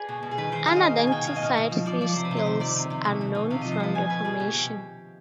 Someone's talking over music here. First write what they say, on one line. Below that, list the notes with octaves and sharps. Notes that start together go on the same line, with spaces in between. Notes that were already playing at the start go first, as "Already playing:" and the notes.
Unidentified fish scales are known from the formation.
Already playing: G#4 B4 D5
B2
B2
G#4
D#3 B4
D#3 C5
D#3 F5
D#5
B2 F5
B2 G#5
B2 G5 G#5
B2 F5
D#5
B2 F5
B2
F3
F3 D5
F3 D5
C3 C5
B4
C3
C5
D#3
C3 D5
C3
C3
B2
B2
B2
C3 F5
F3 D#5
C5
F3 B4
B2 G#5
B2 B4
B2 G#4
B2 G4
B2 G4